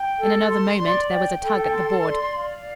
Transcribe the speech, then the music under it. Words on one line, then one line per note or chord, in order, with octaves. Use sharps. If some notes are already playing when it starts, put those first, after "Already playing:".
In another moment there was a tug at the board.
Already playing: G5
A4
C6
D5
G5
A4
C6
D5
F5